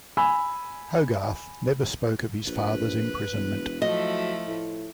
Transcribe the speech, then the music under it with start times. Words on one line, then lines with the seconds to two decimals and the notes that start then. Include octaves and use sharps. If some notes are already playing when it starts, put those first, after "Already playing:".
Hogarth never spoke of his father's imprisonment.
0.17 G#5 B5 E6
2.47 A#1 B4
3.36 E1
3.82 F3 F#3 A3 E4 D#5
4.48 A2